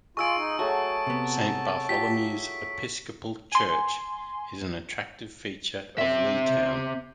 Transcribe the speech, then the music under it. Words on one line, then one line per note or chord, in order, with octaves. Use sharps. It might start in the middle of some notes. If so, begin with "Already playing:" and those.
Saint Bartholomew's Episcopal Church is an attractive feature of Leetown.
G#3 F4 G#4 C#6 E6 D7
D#4
F#3 A3 F#4 G#4 A5
C3 B3
F4 G4 B6
G#5 C6
C4 E5